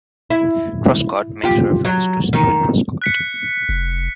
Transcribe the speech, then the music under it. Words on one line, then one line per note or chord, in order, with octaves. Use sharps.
"Truscott" makes reference to Steven Truscott.
E4
F4 G4
F#3
D#3
F#6 B6 C#7
F1